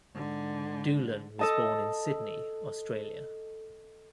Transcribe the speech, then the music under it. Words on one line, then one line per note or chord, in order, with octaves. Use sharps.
Doolan was born in Sydney, Australia.
G#2 D3
A4 D#5 A5